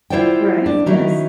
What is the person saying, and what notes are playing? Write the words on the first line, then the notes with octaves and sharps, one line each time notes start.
Right, yes.
E4 F4 C5 D5 F#5 G5
D4
D#3 F#3 C#4 D#4 E4